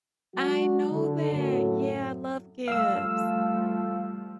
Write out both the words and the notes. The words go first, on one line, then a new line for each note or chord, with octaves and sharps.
I know that. Yeah, I love Gibbs.
F#3 G#3 D4 F#4
D3
F#2 A2 F#3
F3 G3 A3 F5 E6